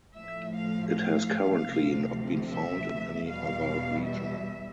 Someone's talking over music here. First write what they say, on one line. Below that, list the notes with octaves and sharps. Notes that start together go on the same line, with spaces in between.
It has currently not been found in any other region.
A2 F3 A3 E5
F5
F5
D2 C3 F3 A3
E5
E2 B2 G3 F5
E5